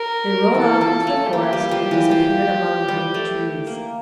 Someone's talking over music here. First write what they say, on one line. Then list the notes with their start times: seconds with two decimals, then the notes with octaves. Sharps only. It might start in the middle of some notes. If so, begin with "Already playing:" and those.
They rode off into the forest, and disappeared among the green trees.
Already playing: A#4
0.55 E3 A4
0.81 F3
1.07 A3
1.33 A#3 G4
1.53 G3
1.71 F3
1.91 E3
2.11 F3
2.88 G3
3.14 A3
3.67 A#3